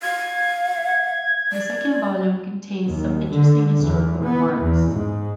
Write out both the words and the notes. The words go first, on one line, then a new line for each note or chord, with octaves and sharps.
The second volume contains some interesting historical remarks.
F5 G#6
D5
D#2
D3
E2
B3
E2
G#2